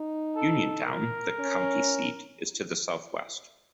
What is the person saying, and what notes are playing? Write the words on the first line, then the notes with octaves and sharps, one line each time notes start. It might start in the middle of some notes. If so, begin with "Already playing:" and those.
Uniontown, the county seat, is to the southwest.
Already playing: D#4
A4
A#4
C#4